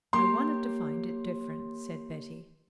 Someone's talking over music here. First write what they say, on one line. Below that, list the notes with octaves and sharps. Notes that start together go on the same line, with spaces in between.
"I wanted to find it different," said Betty.
A#3 G4 C#5 C6